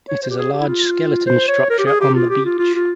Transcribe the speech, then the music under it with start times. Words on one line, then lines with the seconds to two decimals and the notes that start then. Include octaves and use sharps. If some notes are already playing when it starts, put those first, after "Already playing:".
It is a large skeleton structure on the beach.
0.08 C#5
0.23 C5
0.30 G4
0.38 G#4
0.53 G4
0.60 E4
0.67 F4
1.27 C5
1.48 C#5
1.70 A#4
1.79 G4
1.86 G#4
2.01 G4
2.15 F4
2.30 G4
2.45 F4
2.59 F4
2.75 F4